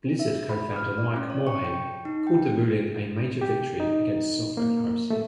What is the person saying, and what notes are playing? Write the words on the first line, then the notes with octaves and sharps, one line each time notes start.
Blizzard co-founder Mike Morhaime called the ruling a major victory against software piracy.
E5
B5
F6
D5
C#4
C#5
C#6
G5
D#4
G5
G4
D#4
A#3
A3